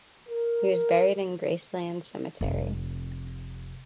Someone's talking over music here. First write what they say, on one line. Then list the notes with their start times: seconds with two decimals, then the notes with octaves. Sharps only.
He was buried in Graceland Cemetery.
0.29 A#4
2.41 F1 C3